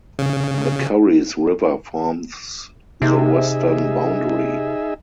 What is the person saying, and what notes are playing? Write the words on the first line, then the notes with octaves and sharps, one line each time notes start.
The Curries River forms the western boundary.
C#3
C3 D#4 G#4 E5